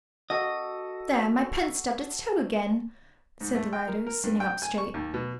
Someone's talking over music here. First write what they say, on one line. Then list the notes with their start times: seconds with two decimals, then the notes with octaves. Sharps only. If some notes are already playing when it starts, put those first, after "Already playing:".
"There, my pen's stubbed its toe again," said the writer, sitting up straight.
0.30 F#4 A4 D#5
3.41 G#2
3.55 A3
3.73 G5
3.88 A#4
4.07 A#4
4.23 G2
4.40 G5
4.62 G#5
4.78 C#6
4.94 D#2
5.14 B2